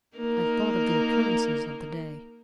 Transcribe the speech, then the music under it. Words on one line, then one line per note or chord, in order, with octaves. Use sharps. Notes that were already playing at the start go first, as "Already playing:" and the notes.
I thought of the occurrences of the day.
A#3 D#4 A#4